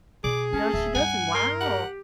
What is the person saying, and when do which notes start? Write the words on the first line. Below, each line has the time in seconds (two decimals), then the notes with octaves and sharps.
Does she doesn't? Wow.
0.24 B2 G#4 D6
0.53 C#4 E4 A5
0.73 D1 E5
0.95 G2 F#5 G#5
1.34 A#4 C6
1.61 G4 F#5